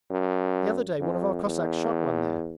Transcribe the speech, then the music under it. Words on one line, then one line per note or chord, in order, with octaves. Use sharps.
The other day one of our Cossacks shot one there.
F#2
F2
E2